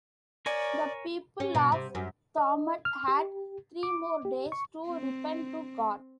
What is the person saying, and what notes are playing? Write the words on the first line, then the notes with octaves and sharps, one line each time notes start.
The people of Thamud had three more days to repent to God.
A#4 C#5 D5 G#5
C#4
B2
C3
F#2
D#5
F6
G4
D6
G4
C#6
C4